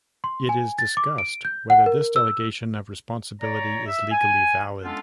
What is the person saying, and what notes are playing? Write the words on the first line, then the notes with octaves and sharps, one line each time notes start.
It is discussed whether this delegation of responsibility is legally valid.
C6
G#5
A6
D6
D7
G6
F#5
A#4
E6
C#5 D5 A#5
E5
G#5
G#3 B3 C#4 D4 F4 A4